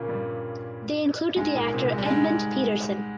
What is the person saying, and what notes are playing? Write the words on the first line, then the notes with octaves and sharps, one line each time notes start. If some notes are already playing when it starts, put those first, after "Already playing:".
They included the actor Edmund Petersen.
Already playing: A#2 C#3 A#3 C#4
G2 G3
G#2 G#3
A#2 A#3
C3 C4
G#3
G3
G#2 G#3